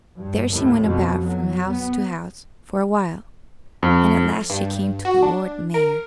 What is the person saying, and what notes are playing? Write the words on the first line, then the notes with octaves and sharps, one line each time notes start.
There she went about from house to house for a while, and at last she came to the Lord Mayor.
G2
D#2 A2
F2 B2
F#3
B3
F2
G2
F#4
D4
A#4